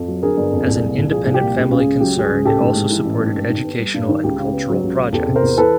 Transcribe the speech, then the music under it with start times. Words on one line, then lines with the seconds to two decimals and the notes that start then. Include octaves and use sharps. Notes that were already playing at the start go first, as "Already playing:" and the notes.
As an independent family concern, it also supported educational and cultural projects.
Already playing: F2
0.08 F#3
0.22 D3 G#4 A#4
0.37 G1
0.52 F2
0.67 C2
0.82 A#2
0.98 C2
1.12 F3 G#4
1.24 C2 G#4
1.34 G4
1.42 A#2
1.57 C#2 G4
1.71 C#3 G4
1.79 G#4
1.85 C#2
2.00 F#3 G4
2.16 C#2 G4
2.23 G#4
2.31 C#3
2.45 A1 G4 A4
2.60 G#2
2.75 G#3
2.90 E3
3.05 A1
3.19 G#2
3.35 G2
3.49 D#3
3.65 B3
3.80 G3
3.94 G2
4.09 D#3
4.24 C#2 G4
4.39 C#3
4.53 B3
4.69 F#3
4.84 C#2
4.99 C#3
5.13 E2 G4 A4
5.28 C3
5.36 A#4 C5
5.42 E2
5.57 E3 A4 B4